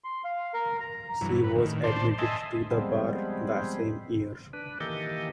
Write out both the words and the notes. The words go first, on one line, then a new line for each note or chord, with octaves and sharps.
She was admitted to the bar the same year.
C6
F5
A#4
A#5
G2 E3 F#3
B4
A2 D#3
C5 D5 A5 C6
D#5 E5 G#5 A5 C6
F3 G3 G#3 B3 C4
D4 B4
D#3 E3 A#3 G4 A4 D#5